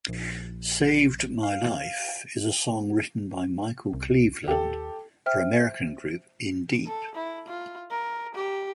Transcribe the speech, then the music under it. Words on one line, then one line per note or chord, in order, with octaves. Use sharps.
Saved My Life is a song written by Michael Cleveland for American group Indeep.
A#1
F5
C2
D#2 G4 A4
C5 E5 G5 F6
A4
E4
F4
A#4
G4